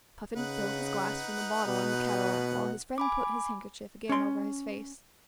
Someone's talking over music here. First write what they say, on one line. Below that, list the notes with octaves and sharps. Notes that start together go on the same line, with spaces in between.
Puffin filled his glass from the bottle and the kettle, while his friend put his handkerchief again over his face.
C#3 D#4 B4 F#5
B2
G#5 B5 D6
C#4 C6